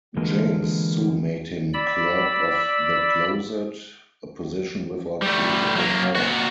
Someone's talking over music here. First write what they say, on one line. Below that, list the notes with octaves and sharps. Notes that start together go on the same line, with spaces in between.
James soon made him clerk of the closet, a position without political power.
D3 E3 G#3 A#3 F4
D5 B5 E6
G3 A3
F#3 A#3
A#2 F#4